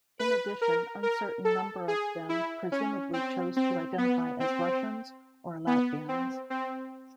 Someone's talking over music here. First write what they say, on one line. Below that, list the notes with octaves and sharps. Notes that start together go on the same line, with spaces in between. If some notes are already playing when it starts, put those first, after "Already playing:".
In addition uncertain number of them presumably chose to identify as Russians or Latvians.
B4
A#4
A#4
A4
G#4
E4
C#4
C4
C4
B3
C4
B3
C4
C4